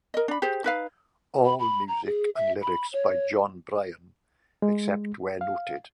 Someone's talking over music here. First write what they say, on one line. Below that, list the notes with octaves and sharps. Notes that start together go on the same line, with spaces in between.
All music and lyrics by Jon Brion except where noted.
A#4 D#5
D4 B5
G4 G#4 C5
D#4 B4 F5
B5
B5
A#5
G#4
E5
B5
C#5
G#3
F5